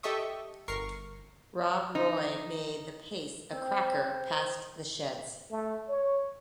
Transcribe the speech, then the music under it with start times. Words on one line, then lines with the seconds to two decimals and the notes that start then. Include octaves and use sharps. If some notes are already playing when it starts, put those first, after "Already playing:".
Rob Roy made the pace a cracker past the sheds.
0.03 G4 A4 D#5 E5 C#6 D#6
0.68 G1 A#4 C#6 C7
1.95 D#4
3.52 C4
3.93 C5
5.51 A3
5.87 C#5